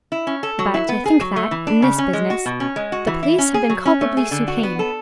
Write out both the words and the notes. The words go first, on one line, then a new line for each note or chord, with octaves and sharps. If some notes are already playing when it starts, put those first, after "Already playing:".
But I think that, in this business, the police have been culpably supine.
E4
C#4
A4
F#3
E4
B3
G#4
F#3
A3
E3
D4
C#3
C#4
G#3
F#4
B2
C#4
G#3
F#4
E3
E4
C#4
G#4
F#3
C#4
A3
G#4
D3
F#4
B3
A4